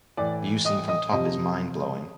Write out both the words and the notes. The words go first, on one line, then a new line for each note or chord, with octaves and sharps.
View seen from the top is mind-blowing.
A2 E3 D5 D6
D#5 D#6
D#5 D#6
C3 F3 D#5 D#6